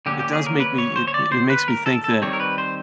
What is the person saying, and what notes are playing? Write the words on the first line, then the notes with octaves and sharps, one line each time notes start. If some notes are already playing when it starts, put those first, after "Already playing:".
it does make me it it makes me think that
D3 F#3 A#3 C#4 G4
G4
G#4
A#4
B4
C#5
C5
C#5
D5
C5
B4
A#4
A4
A4
D#3 G3 C4 C#5
A#4
B4
C5